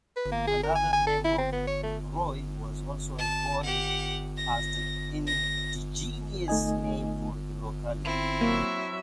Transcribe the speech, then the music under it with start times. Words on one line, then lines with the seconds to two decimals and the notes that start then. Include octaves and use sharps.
Another name, "Bobroi", was also recalled as the indigenous name for the locality.
0.16 B4
0.32 A#3
0.48 G#4
0.64 A#4
0.76 G#5
0.93 G#5
1.07 A4
1.25 E4
1.38 C4
1.53 B3
1.67 C#5
1.83 A3
3.18 A5
3.63 G4 F#5
4.37 A#6
5.27 A#6
6.48 A3 D#4 D#5 G#5
8.05 C4 E4
8.41 F#3 A#3 E5